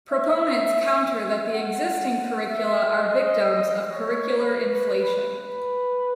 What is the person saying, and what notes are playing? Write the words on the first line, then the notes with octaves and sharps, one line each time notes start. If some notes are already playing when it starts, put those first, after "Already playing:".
Proponents counter that the existing curricula are victims of 'curricular inflation'.
E5
E5
F#5
E5
D#5
C#5
B4
B4